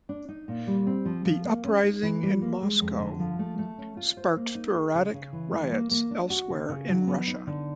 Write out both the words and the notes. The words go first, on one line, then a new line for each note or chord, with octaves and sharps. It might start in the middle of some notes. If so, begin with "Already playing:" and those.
The uprising in Moscow sparked sporadic riots elsewhere in Russia.
D4
D#4
A#2
G3
C4
F3
F3
A#3
C#4
D#4
E3
G3
A#3
G#3
F2
D3
F3
A3
A3
C#4
F4
C5
A#3
D#4
G#4
C#3
C#3
E3
A3
A#3
A#3
D4
F#4
C#3
C#3
F#3
B3
D#4
D3